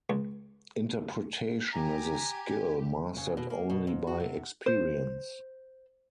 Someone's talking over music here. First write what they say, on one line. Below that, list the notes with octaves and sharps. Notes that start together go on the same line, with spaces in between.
Interpretation is a skill mastered only by experience.
C#2
G4 G#5 A#5
C#3
B2
A#3
B2
F2
F#4
C3
C5